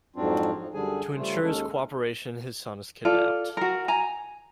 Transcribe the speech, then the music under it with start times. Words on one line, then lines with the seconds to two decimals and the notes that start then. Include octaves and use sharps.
To ensure his cooperation, his son is kidnapped.
0.16 F2 G#2 F#3 C4 D4 F4
0.56 F3
0.74 F#2 D3 G3 D4 G#4 G#5
1.16 C#3 F3 G3 A3 F4
1.42 D#2 G#3 C#4 A4
3.05 F4 A4 D5
3.57 F#4 A#4
3.88 G#5 A#5